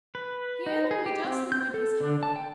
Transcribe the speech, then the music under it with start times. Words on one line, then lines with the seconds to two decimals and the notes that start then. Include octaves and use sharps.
He only does them when he's happy.
0.15 B4
0.66 D#4
0.91 G#4
1.06 G4
1.25 C4
1.52 G6
1.74 A4
2.01 D3
2.23 A5
2.36 G5